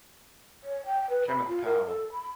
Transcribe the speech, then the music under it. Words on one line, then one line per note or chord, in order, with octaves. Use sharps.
Kenneth Powell.
C#5
G5
B4
B5
F4
A#4
A4
B5